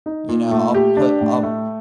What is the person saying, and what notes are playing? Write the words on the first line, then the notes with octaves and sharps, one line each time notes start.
you know, I'll put I'll
D#4
A#2
A3
G4
D4
A2
A3